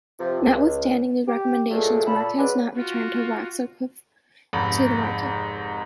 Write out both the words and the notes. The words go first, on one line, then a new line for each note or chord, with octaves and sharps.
Notwithstanding these recommendations, Merck has not returned rofecoxib to the market.
C3 F3
C#2
G4
G2 A#2 F#3 G#3 A3
A#2 A4 B5
F#3 G#3 B4 D5
F4 F#4
F1 G#2 B5